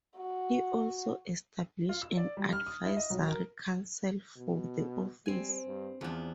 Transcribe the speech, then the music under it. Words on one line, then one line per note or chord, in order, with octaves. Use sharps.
He also established an advisory council for the office.
F#4
F4
E6
D5
G3
F6
D#6
E4
D#5
B1
A#4
B2
G3 C4 G#5
G2
E2 F3 D4